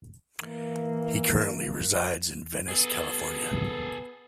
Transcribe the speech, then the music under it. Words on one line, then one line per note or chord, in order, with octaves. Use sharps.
He currently resides in Venice, California.
E3 A#3
B3 G#4 A4